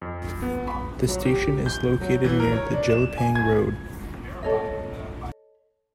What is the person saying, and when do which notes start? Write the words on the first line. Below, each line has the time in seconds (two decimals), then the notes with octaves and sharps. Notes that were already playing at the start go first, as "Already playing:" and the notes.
The station is located near Jelapang Road.
0.02 F2
0.42 B3
0.68 B5
1.08 F#3
1.25 G4
1.66 G6
2.01 F#3
2.24 E3
2.40 A#4
2.52 C#5
2.74 D4
2.90 E7
3.18 G#5
3.35 G#6
4.43 A4 C#5 D#5